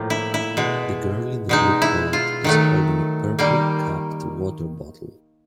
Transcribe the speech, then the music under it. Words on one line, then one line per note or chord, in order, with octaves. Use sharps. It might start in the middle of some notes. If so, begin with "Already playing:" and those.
The girl in the blue coat is holding a purple capped water bottle.
Already playing: A2 F3 A#3
E4
E4
B2 G#3
B2 G#3 D#4
E4
F4
D#3 F#3 A3
D#3 G3 A#3